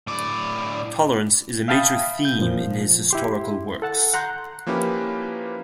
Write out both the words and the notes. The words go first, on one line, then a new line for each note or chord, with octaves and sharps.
Tolerance is a major theme in his historical works.
A2 D5
E5 F5 G5 A5 B5 D#6
G6
A#2 F3
E4 G4 C6
A4 F#5 A5
F#5 A#5 C6 F#6 G6
F3 A#3 C#4 E4 G4 B4